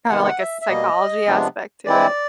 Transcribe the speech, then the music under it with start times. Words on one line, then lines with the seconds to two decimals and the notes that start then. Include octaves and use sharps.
kinda like a psychology aspect to it.
0.09 C3 D#3 G#3 B3 F#5
0.24 F#5
0.39 E5
0.62 E5
0.68 B2 G3 A#3 D#5
1.27 C3 F3 G#3 B3 D4
1.85 E3 G#3 C4 E4 D5